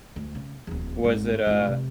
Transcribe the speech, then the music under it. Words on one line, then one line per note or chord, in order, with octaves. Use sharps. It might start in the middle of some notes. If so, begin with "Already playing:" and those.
Was it a
D2
C#3
D1 E2
G#1
G#1 F4
C3